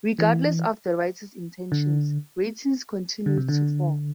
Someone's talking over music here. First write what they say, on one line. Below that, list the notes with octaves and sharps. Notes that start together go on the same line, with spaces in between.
Regardless of the writers' intentions, ratings continued to fall.
E3
D3
D3
C3
D3